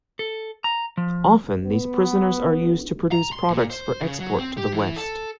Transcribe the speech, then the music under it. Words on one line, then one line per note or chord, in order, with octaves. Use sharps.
Often these prisoners are used to produce products for export to the West.
A4
A#5
F3
B3
A#5
C6
A#2
C5
C#3
F#3
C4
G4
E3
A4